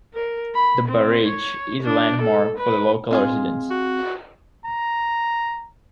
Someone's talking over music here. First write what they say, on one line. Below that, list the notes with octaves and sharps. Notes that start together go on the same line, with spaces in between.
The barrage is a landmark for the local residents.
A#4
B5
C4
C#5
D4
A4
B4
G#3 C4 F4 G#4
F#4
A#5